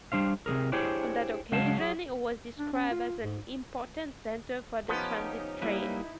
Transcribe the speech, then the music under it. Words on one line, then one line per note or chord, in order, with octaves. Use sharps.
On that occasion it was described as an "important centre for the transit trade".
G3 D4 C5 F5
C3 G#3 G#4 A#4
D4 E4 G4 G#4 C5 C#5
C#3 F#3 G#3 F5 A5
F#3 G#4
D4
C#4
F4
G#2
F3 B3 C#4 D#4 G4
G3 A#3 D#4 E4 B4